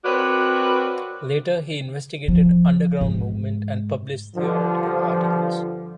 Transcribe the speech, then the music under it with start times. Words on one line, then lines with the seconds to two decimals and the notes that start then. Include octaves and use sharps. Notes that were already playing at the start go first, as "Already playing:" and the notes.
Later he investigated underground movement and published theoretical articles.
0.04 C4 F#4 A#4 B4 C#5 D5
2.28 F3
3.01 G#2
4.35 G2 D3 F3